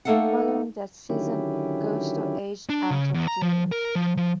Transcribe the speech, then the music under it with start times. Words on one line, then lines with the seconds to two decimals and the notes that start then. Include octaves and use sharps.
Following that season, Agosto aged out of juniors.
0.05 A3 A#3 D#4 A4 F5 F#5
1.10 D3 D#3 F#3 C#4 E4 G4
2.69 D4
2.90 C#3
3.14 E2
3.28 A#5
3.42 F3
3.72 A#4
3.95 F3
4.17 F3